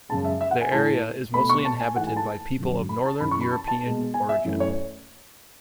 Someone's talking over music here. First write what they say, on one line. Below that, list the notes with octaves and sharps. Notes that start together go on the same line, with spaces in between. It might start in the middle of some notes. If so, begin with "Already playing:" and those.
The area is mostly inhabited by people of Northern European origin.
F#2 C#3 G#3 A5
E5
E5
F#5
G#5
A2 E3 A3 A5
B2 A3 B5
C#6
A5
G#5
G#2 E3 A3 F#5
G#5
A5
F#2 D3 F#3
B5
A5
F#2 C#3 E3 B5
C#6
B5
A5
A5
B2 G#3
G#5
E5
F#2 E3 A3
C#5